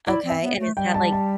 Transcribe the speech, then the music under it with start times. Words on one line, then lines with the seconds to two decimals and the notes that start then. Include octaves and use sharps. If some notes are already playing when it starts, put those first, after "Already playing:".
Okay, and is that, like,
0.07 E4 D5
0.25 C4
0.30 E5
0.41 B3
0.60 A3
0.77 G3 G5
0.94 A5
1.12 A5